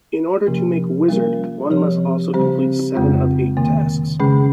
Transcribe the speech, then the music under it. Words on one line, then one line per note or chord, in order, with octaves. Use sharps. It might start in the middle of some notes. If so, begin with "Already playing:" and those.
In order to make Wizard, one must also complete seven of eight tasks.
C3 F3 A#3 C#4 G4
G3 A#3 C#4 F4 A#4
C3 F3 C4 G4 C#5
C#3 G3 C4 G4 C5
F2 C#3 G#3 C4 F4
C3 D#3 A#3
C#3 G#3 C#4 G#4